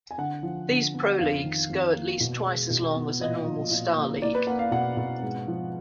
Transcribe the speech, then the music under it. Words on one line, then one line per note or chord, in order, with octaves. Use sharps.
These pro leagues go at least twice as long as a normal Starleague.
G#5
D3 F#5
F3
D3
B3
F2 F5
D#3
F2
A#3
B2
G#3
B2
B3
A#2 D#5
F3
A#2
A#3
A#3 D5
B4
A#3 F#5
F5
B2 F#5
B2
G#2
F3